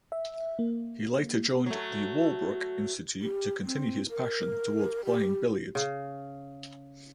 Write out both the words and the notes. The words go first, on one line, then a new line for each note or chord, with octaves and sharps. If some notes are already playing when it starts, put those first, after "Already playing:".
He later joined the Walbrook Institute to continue his passion towards playing billiards.
E5
A#3
F#3 A3
G4
C4
A#4
G4
C#3